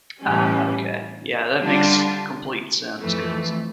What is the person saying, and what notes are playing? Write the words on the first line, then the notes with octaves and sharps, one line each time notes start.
Uh, okay. Yeah, that makes complete sense 'cause,
A2 E3 G3 C#4
D3 G3 D4 F4
F2 E3 A3